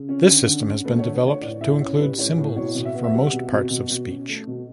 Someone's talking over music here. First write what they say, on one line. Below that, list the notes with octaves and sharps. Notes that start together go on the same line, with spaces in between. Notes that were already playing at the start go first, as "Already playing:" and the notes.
This system has been developed to include symbols for most parts of speech.
Already playing: C#3
C#4
D3
D3
C#4
A3 B4
C#5
D3
B4
D3
C#5
A2 D5
A2 E5
C#4 C#5
G3 B4
A2 C#5
A2
B2 C#5
B2
E5
B3
E5
G3 F#5
B2
B2
B2
B2
C#4
A3
B2